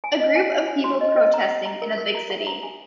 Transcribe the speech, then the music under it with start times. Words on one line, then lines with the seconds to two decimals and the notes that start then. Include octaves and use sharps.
A group of people protesting in a big city.
0.04 G#5
0.20 D#5
0.35 G#5
0.52 G#5
0.68 G#5
0.84 F#4
1.01 D#5
1.17 D#5
1.34 A#5
1.49 F#5
1.66 A#5
1.82 A#4
1.98 A#4
2.14 A#5
2.30 F#5
2.47 A#5
2.63 G#5